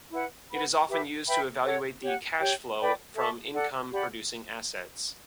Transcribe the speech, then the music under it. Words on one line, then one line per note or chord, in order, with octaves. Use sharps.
It is often used to evaluate the cash flow from income-producing assets.
E4 B4 F#5
B4 F#5 B5
G4 B4 E5
B4 E5 G5 B5
A4 C#5 F#5
G4 C#5 F#5
G4 C#5 G5
B4 D5 G5 B5
A4 E5 A5 C#6
A4 D5 F#5
G4 D5 F#5 B5